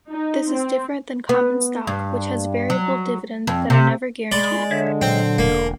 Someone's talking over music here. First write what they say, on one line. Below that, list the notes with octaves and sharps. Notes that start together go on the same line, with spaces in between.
This is different than common stock, which has variable dividends that are never guaranteed.
D#4
C4
B3
G2
F#3
F2
C3
G#3 D5 B5 C6
D3 C#5 E5
A#2 F#3 C4
E1 A#3